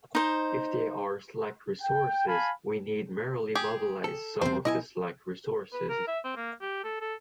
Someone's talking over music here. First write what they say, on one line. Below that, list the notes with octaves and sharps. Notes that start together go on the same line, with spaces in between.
If there are slack resources, we need merely mobilize some of the slack resources.
D#4 C5
G5
F5 G#5 A5 B5
G4 G#4
A4
E2 C3 C4 C5
B1 E4 D#5 G#5
B4
A#4
E5
C4
A#3
G4
A4
A4